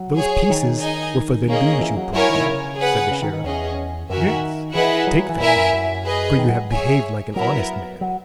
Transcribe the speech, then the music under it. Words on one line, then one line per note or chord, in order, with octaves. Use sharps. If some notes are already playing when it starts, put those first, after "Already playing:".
"Those pieces were for the news you brought me," said the Sheriff. "Yes, take them, for you have behaved like an honest man."
Already playing: F#3
G#4 C#5 G#5
D#3
D#4 G#4 D#5 G#5
A#3 C#4 G#4 D#5
E3
F#3
F#3 E4 A#4 C#5 G#5
D#3
B2
C#3
G#4 B4 F#5
C#3
D#3
D#3
E2 C#4 G#4 D#5
F#2 F#4 A#4 E5 G#5
D#3
E3 E4 G#4 B4 D#5 F#5
F#3
F#3
E3
A#2 E4 A#4 E5 G#5
F#2
F#2
G#4 B4 D#5
D#3
F#3
G#4 C#5 E5 G#5
F#3 B3 E4 A#4
F#3